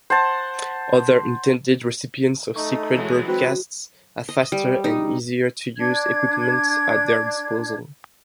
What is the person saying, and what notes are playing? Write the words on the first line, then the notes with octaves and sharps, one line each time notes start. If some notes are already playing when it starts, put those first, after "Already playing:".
Other intended recipients of secret broadcasts have faster and easier-to-use equipment at their disposal.
C5 F#5 A5
A3 D#4 C#6
E3 F#3 G#3
C4 F#4 B4
D#5
G3
D#4
D4 G#6